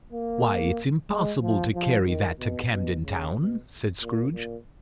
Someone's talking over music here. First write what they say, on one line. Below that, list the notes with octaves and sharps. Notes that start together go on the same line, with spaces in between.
"Why, it's impossible to carry that to Camden Town," said Scrooge.
A#3
G#3
F3
F3
D#3
B2
B2
C#3
B2
A#2
A#2